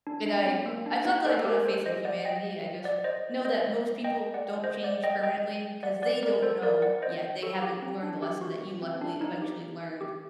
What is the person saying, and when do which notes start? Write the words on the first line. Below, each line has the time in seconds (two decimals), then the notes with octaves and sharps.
And I I thought that I don't have faith in humanity; I just know that most people don't change permanently 'cause they don't know yet, they haven't learned the lesson that you luckily eventually learned
0.07 D4
0.26 D4
0.46 C4
0.66 A#3
0.86 D4
1.05 D#4
1.25 A4 C5
1.39 A4
1.45 G4 A#4
1.65 A4 C5
1.86 C5 D#5
2.05 D5 F#5
2.25 D#5 G5
2.84 D5 F#5
3.04 C5 D#5
3.45 C5 D#5
4.04 D#5 G5
4.34 D5 F#5
4.64 C5 D#5
4.83 D5 F#5
5.04 D#5 G5
5.23 D#5 G5
5.83 D5 F#5
6.02 D5 F#5
6.23 A#4 D5
6.42 A4 C5
6.62 A#4 D5
6.82 D5 F#5
7.02 C5 D#5
7.42 F#4 A4
7.62 G4
7.82 C4
8.03 D4
8.22 G4
8.41 F#4
8.82 C4
8.95 C4
9.01 D4
9.21 D#4
9.42 G4
10.01 G4